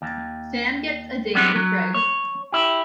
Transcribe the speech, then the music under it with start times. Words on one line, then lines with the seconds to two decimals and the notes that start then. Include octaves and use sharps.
Sam gets a date with Greg.
0.02 D#2
1.35 F#3 G3 B3 C4 D4
1.56 F#3
1.94 C#5
2.52 E4 G4